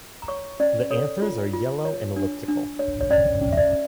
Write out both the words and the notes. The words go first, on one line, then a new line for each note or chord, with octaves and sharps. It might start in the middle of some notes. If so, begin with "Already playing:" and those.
The anthers are yellow and elliptical.
A#5
C#5 C#6
C#4 D5
A4 C#5
F4
F4
C#5
D4
D4
C#5
C#5
C#4 D5
C#4
E5
D5